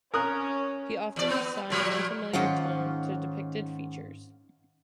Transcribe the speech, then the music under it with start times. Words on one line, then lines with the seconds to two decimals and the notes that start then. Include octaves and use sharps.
He often assigned unfamiliar tone to depicted features.
0.14 C#4 A#4 D#6 F#6
1.16 E2 D5
1.30 B3
1.70 A#2 F3 G3
2.33 G#2 D#3 C#4 F4 F#5